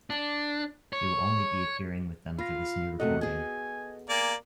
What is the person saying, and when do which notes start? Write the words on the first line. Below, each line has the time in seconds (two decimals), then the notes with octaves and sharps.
He will only be appearing with them for this new recording.
0.10 D4
0.93 C#5
2.38 F4 F5 B5 A#6
3.00 F#2 C3 A3 F#4 A4 D#5 F#5
3.21 B3 G#4 G#5
4.09 A#3 D5 G#5